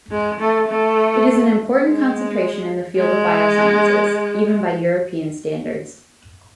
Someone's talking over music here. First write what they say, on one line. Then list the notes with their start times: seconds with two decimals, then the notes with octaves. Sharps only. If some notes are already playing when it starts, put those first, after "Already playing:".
It is an important concentration in the field of biosciences, even by European standards.
0.11 G#3
0.40 A3
0.68 A3
1.83 G#3
2.97 G#3